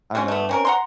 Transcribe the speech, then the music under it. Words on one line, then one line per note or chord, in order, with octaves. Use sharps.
I know.
G3 C4 C#4 F4
A3 B3
C4 C#4 A#4
F#5 A#5 C6